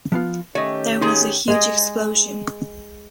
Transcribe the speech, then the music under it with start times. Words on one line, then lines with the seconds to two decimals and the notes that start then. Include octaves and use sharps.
There was a huge explosion.
0.12 F3 B3 F4
0.55 D#3 A3 C#4 G4 C#5 D#5
1.01 G#3 D#4 G#4 A4 C6
1.48 G#3 G#4 D#5